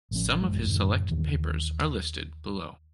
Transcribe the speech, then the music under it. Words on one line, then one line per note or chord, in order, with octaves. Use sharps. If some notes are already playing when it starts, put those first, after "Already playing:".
Some of his selected papers are listed below.
A1 F3 C#4
A1 F#2 E3 G#3
F#2 A2 C3 D#3
D#2 D#3 E3